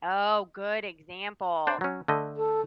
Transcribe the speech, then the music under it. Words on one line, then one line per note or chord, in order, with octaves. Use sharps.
Oh, good example.
D4 C5 D5
F#3 C#4
D3 A3 D#5
A4